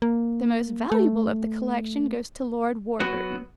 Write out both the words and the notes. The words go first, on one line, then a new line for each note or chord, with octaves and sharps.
The most valuable of the collection goes to Lord Warburton.
A#3
A3
F#3 B3 F#4